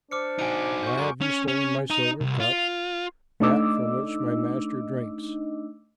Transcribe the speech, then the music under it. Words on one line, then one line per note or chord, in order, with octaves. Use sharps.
Why have you stolen my silver cup, that from which my master drinks?
D4 C5 D6 F6 C#7
D#4 F#4 G#5 D7
C#6 G6
G#3 F#4 A#4
C#4
C#4
D#4
C2
F4
A3 D4 D#4 D#5 D6 E6